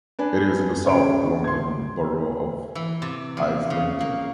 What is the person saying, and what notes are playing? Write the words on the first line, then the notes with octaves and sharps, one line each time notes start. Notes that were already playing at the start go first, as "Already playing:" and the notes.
It is in the south of the London Borough of Islington.
D4 B4 G#5
C#3 C#5 D7
C6 G#6
E3
C3
F3
C#3
A#3